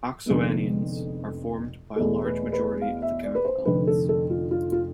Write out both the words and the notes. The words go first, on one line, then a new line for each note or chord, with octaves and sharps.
Oxoanions are formed by a large majority of the chemical elements.
F1 F2 D3 G#3 B3
E2 B2 A3 A4
B4
B4
F5
E5
D5
B4
C5
F1 F2 D3 B4
A4
A4
F4
F4
F4